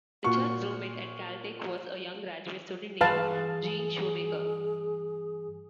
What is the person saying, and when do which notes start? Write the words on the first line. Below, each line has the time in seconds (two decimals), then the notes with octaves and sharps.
Richard's roommate at Caltech was a young graduate student named Gene Shoemaker.
0.24 A#2 F4 F#4 C#6
3.01 G2 E3 G#4 B4 F5 A5